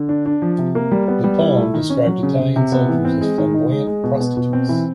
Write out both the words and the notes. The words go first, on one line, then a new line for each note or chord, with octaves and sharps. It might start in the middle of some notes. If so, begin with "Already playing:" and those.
The poem described Italian soldiers as flamboyant prostitutes.
Already playing: D3
D4
D4
F3
C3
A#3
G3
B3
G3
E4
A3
D#3
C#4
F#3
C#3
C#3
C3
B3
E3
C4
G#3
D#3
D#4
G#3
G#3
B2
B3
B2
C4
E3